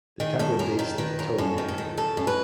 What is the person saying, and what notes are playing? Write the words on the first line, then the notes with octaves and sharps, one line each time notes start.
The temple dates to the Ptolemaic period.
D#3 G#4
F#2 A4
F#2 A#4
D#3 A4
D#3 B4
F#2 A#4
F#2 A4
D#3
A4
D#3
F#2 A4
F#2
B4